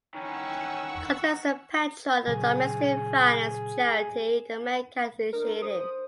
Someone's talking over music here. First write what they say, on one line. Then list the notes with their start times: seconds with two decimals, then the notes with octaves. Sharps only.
Cotter is a patron of domestic violence charity the ManKind Initiative.
0.15 D#3 E3 C#4 F#5 G5 C#6 E6
2.27 A#2 C#3 F#3 G#4
5.33 D4 A#4
5.49 A4
5.62 C5 D#6